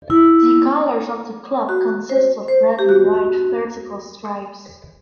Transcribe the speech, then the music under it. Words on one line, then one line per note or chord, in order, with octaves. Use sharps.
The colours of the club consist of red and white vertical stripes.
E4
F#4
C5
C5
G4
F#4